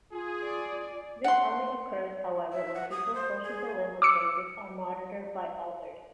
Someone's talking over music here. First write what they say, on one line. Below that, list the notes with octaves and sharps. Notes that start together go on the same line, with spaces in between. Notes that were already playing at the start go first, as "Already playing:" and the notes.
This only occurs however when people's social dilemma choices are monitored by others.
F4 G#4
D5
F#5 C6
E5
F#5
D#6
C5
G#4
D6 E6 C#7